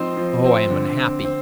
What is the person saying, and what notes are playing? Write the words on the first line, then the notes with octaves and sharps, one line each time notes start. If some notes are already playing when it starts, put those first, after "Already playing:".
Oh, I am unhappy!
Already playing: F3 C4 D#4 C6
F3
C4
D3
C4
C4